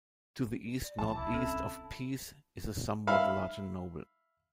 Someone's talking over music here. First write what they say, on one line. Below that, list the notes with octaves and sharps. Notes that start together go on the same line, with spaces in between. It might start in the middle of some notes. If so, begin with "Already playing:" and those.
To the east-northeast of Pease is the somewhat larger Nobel.
D5
A#1 E2 A5
D1 C2 E4 D6
C4 C#4 A4
E5 F5 B5